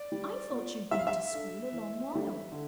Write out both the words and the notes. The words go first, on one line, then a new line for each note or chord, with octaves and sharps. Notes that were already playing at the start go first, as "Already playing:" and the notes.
"I thought you'd been to school a long while."
Already playing: D5
G3
B3 F4
G3 E5
F5
E5
D4 A4
E3
G3 D4 A4
D3